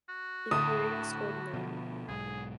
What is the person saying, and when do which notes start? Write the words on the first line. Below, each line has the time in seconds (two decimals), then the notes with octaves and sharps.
Imperial scored none.
0.09 F#4
0.51 D2 A2 D#6
1.54 B2 F3
2.08 B1 G#2 G#4